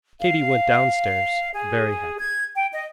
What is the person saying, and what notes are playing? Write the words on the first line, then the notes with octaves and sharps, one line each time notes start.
Katy went down stairs very happy.
F5
G#4
G#6
G5
D#5